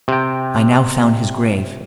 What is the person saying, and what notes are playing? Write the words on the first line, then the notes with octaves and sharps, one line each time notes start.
I now found his grave.
C3 G5